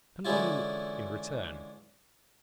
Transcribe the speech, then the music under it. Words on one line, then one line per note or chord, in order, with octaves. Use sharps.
Halloo!' in return.
D3 E3 G#3 C#4 E4 F4